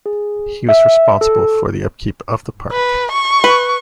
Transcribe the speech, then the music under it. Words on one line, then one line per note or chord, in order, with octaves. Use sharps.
He was responsible for the upkeep of the park.
G#4
E5
A4
B4
C#6
B4